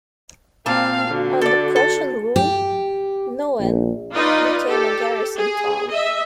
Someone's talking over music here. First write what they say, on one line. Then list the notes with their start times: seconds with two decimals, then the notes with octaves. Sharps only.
Under Prussian rule, Nauen became a garrison town.
0.66 A#2 C4 F5 A5
1.08 D3 F#4
1.41 A4 D5
1.76 A4
2.36 G4
3.60 A#1
4.14 D#4 F4 B4 D5 D#5
4.66 G4 A4
5.37 G#4
5.90 D#5 E5